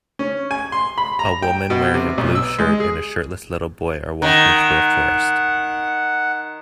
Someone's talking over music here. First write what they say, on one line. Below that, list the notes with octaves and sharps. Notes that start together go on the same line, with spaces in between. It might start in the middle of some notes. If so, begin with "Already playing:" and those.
A woman wearing a blue shirt and a shirtless little boy are walking through a forest.
C#4
G#5
C6
B5
A#5
G5
B2
C3
B1
E6
G#3
G#4
D#3 F#5